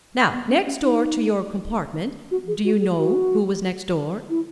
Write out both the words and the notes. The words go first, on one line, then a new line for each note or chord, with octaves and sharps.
Now next door to your compartment--do you know who was next door?
B3
C#4
C#4
D#4
F#4
G#4
F#4
G#4
F#4
E4